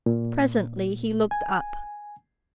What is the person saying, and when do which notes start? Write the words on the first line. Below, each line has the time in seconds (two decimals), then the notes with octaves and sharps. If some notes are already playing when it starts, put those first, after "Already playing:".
Presently he looked up.
0.06 A#2
1.31 G#5